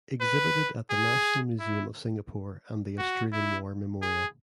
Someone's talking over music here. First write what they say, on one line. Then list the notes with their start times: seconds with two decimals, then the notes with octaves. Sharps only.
Exhibited at the National Museum of Singapore and the Australian War Memorial.
0.21 B4
0.90 G#4
1.60 E4
2.98 F#4
3.33 E4
4.02 G#4